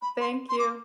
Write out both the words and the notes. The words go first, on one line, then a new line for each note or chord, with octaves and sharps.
Thank you.
B5
C6
C6
D6